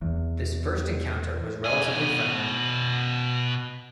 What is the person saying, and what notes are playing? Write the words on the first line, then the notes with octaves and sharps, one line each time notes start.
This first encounter was relatively friendly.
E2
B2 G#5